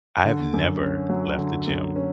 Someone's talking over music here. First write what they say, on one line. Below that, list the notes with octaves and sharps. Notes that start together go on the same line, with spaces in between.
I have never left the gym
D3
F#2
C#4
F#3
D3
F#2
C#4